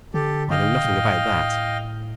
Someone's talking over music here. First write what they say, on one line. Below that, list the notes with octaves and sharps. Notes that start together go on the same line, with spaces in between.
"I know nothing about that."
D3 G4 A4
D3 D#5 F5 G5
A2